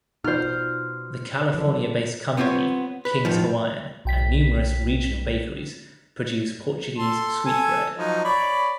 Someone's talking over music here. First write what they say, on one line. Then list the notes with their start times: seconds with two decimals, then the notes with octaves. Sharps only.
The California-based company King's Hawaiian and numerous regional bakeries produce Portuguese sweet bread.
0.24 B2 D#4 F4 C5 D5 F6
1.54 D3 E3 F#3
2.37 B3 C4 F4 G4 C#5
3.05 B4
3.25 A2 D#3 F3
4.05 B1 G5 B6
6.98 A4 A5 C6
7.46 A4 G#5
7.98 F3 F#3 D#4
8.24 C#5 D5 B5